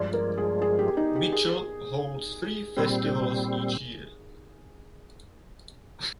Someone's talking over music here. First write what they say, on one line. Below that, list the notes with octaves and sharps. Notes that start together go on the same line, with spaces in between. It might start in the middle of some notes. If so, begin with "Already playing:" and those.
Mitchell holds three festivals each year.
Already playing: G2 F3 G#3 D5
A#4
G#4
G#4
G4
D#4
G4
G#4
A#2 G3 C4